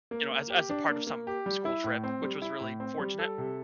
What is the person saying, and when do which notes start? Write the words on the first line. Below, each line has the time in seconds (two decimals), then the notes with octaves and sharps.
you know, as as a part of some school trip, which was really fortunate,
0.11 A#3
0.31 A#3
0.50 G4
0.70 D4
0.88 A#3
1.07 A#3
1.27 G4
1.46 G3
1.65 E4
1.84 A2
2.04 C4
2.23 G3
2.42 E4
2.61 A2
2.80 C4
3.00 G3
3.19 A4
3.38 C3